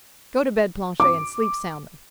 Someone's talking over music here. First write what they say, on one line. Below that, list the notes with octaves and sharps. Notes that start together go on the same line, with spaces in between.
"Go to bed, Planchet, and sleep soundly."
D6